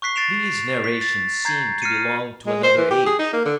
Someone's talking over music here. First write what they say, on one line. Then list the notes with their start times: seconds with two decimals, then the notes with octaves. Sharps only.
These narrations seemed to belong to another age.
0.02 C#6 F#6 B6 C7
0.16 A6 C7 D7 E7 F7
0.84 B6
1.01 A6
1.45 A#5 G6 G#6 C7
1.82 F6 A#6 C7 C#7 D#7
2.47 G#3
2.63 C5
2.77 E3
2.91 G4
3.06 G#4
3.19 D#4
3.33 A#3
3.45 D3